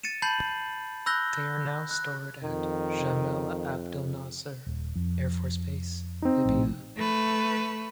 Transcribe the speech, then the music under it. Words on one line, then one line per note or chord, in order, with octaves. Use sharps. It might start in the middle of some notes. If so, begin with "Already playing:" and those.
They are now stored at Jamal Abdelnasser Air Force Base, Libya.
A6 C#7 D#7 E7
A5 B5 G6 A6 C7 F#7
B5 E6 F#6 G6 A#6 G7
F#6
F2 D#3
D#1
F2
C4 D#4
A#1 A2
A3 B4